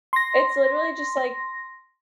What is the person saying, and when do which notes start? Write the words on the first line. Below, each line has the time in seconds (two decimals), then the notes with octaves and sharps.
It's literally just, like,
0.13 C6 A#6